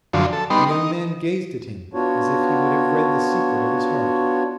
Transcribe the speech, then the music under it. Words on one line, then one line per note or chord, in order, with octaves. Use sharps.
The young man gazed at him as if he would have read the secret of his heart.
F#2 D3 F3
A4
G3 B3 D#4 C6
D#4
B3 D4 F4 F#4 C#5